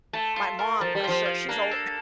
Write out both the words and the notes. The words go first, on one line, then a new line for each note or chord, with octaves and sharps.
My mom, for sure, she's ol eh
A3 A5
F4
A#4
F3 A5
G3
F3 F4
F5
A#3 D4
A4